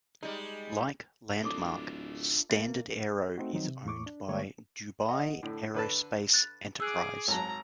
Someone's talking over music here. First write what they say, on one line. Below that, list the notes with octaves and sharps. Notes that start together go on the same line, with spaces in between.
Like Landmark, StandardAero is owned by Dubai Aerospace Enterprise.
G3 G#3 D#4
D1 D4 F4 A4 D6
A#3 E5
A3 C4 D#4 F#4
D#3 F3 F#3 C4 D#4
C3
E2 A2 C#6 D6
D4
D3 G#3 A#3 C#5 D5
D#5 F#5
A2 D3
D3 B4 A5
F#6 A6
G#4 D6 E6 F#6
G#1 F#3 C#5 A5 A#5